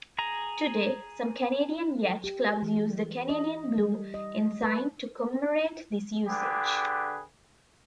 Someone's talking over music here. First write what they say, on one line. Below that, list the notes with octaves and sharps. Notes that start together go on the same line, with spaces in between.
Today, some Canadian yacht clubs use the Canadian Blue Ensign to commemorate this usage.
G#4 A#5
G4
E3
D#5
G3
D#5
B4
D3 G4 G#4 B4